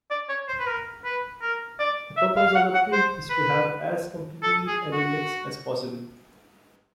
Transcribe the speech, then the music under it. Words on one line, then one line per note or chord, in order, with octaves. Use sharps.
The purpose of the page is to have as complete an index as possible.
D5
C#5
C5
B4
A#4
B4
A#4
D5
E5
F5
F5
F#5
F#5
C5
B4
A4
G#4
F#4